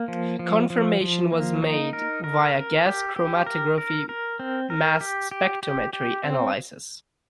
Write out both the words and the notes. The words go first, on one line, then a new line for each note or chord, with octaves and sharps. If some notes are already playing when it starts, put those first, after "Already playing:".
Confirmation was made via gas chromatography-mass spectrometry analysis.
Already playing: A#3
F3
F3
F3
F3
A#3
D#4
A#4
A#4
A#4
G4
G4
A#4
A#4
A#4
C4
A#4
G4
G4
G4
G4
C4